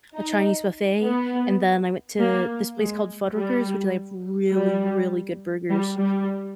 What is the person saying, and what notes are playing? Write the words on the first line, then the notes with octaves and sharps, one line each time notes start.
a Chinese buffet, and then I went to this place called Fuddruckers, which they have really, really good burgers.
D#4
B3
A#3
G#3
G3
G3
G3
G3